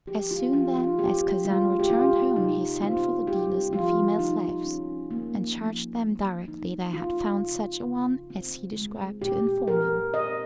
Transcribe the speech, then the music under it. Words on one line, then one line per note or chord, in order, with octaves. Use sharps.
As soon, then, as Khacan returned home he sent for the dealers in female slaves, and charged them directly they had found such a one as he described to inform him.
F3 G4
F4
F3 F4
F4
C4 G4
G#3 F4
G4
C3 F4
C3 D#4
C4 F4
G3 G4
F3 F4
F3 D#4
C#4
A#3
F3
C4
F3 D#4
C4 F4
C#3
C#3
C4
G#3
A#2 G4
A#2 A#4
C4 D#5